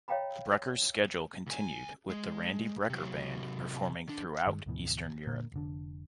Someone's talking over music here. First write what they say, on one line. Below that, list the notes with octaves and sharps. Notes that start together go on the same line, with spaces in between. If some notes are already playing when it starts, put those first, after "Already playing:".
Brecker's schedule continued with the Randy Brecker Band performing throughout Eastern Europe.
C#5 D#5 F5 G5 A#5 B5
C#2 G#5
G#3
C3 F#3
D#3 D4
G2 D#3 G#3
D2 G#2 B2 E3
F1 A#2 D3 A#3
F1 D3 D4